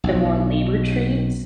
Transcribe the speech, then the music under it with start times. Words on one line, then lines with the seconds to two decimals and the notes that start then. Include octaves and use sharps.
the more labor trades,
0.04 B1